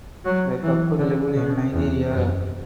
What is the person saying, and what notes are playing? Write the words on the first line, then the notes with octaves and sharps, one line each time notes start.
The couple lived in Nigeria.
F#3
E3
D3
B2
E2
F#2